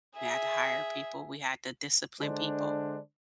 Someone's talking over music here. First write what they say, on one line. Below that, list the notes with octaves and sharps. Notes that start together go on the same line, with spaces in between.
we had to hire people, we had to discipline people,
G#4 E5
D3 G#3 D4 C5